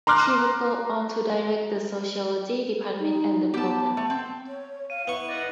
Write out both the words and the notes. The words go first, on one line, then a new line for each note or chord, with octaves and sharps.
She would go on to direct the sociology department and the program.
A#5 C6 D6 F6 F#6
D#4
B3 G4 A5
A3
C4
C#5
F5 D#7
B3 E4 C#6
D5 D#5 F#5